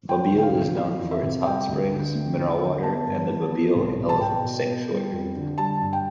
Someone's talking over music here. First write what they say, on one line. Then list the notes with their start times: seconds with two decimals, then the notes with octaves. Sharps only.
Babille is known for its hot springs, mineral water and the Babille Elephant Sanctuary.
0.09 F3 G5
0.31 D2
0.38 G5
0.43 F5
0.54 C3
0.77 E3 F5
1.00 F2
1.11 E5
1.23 C3
1.46 G3 G5
1.68 D2
1.92 D3
2.15 A3
2.37 E2
2.60 D3
2.83 B3 A5
3.06 G2
3.29 E3
3.51 B3
3.75 C2
3.98 B2
4.09 A5
4.21 B2 G5
4.44 B2
4.67 B3
4.89 G3
5.12 F2
5.36 D3
5.58 G3 A5
5.81 G2
5.93 G5